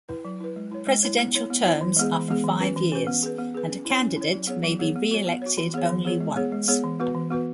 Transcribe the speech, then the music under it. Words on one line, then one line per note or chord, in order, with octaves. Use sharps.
Presidential terms are for five years, and a candidate may be re-elected only once.
E4 B4
F#3
E4 B4
G#3
E4 C#5
G#3
E4 C#5
B3
E4 C#5
B3
E4 C#5
E3
G#3 B3 G#4
E3
G#3 B3 G#4
E3
C#4 F#4 B4
E3
C#4 F#4 B4
B3
G#4 B4
B3
G#4 B4
C#4
E4 C#5
C#4
E4
C#5
F#3
B3 G#4 C#5
F#3
B3 G#4 C#5
B3
F#4 C#5
B3
F#4 C#5
E3
B3 G#4 C#5
E3
B3 G#4 C#5
G#3
B3 G#4 C#5
G#3
B3 G#4 C#5
E3
B3 F#4 B4
E3
B3 F#4 B4